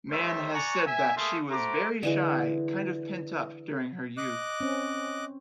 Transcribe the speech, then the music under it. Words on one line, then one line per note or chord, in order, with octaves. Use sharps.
Mann has said that she was "very shy, kind of pent-up" during her youth.
G3 A3 D#4 C5 C#5 E5
D5 F#5 G#5 A#5 C#6
E5 G#5
A3 A#3 G#4 E5 C6 D#6
F#4 A4 C5 E5 A#5 D6
D3 E3 G#3
D#5 D6 F#6
C4 C#4